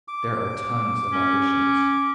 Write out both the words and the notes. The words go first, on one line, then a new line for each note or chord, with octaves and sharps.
There are tons of auditions.
D6
C#4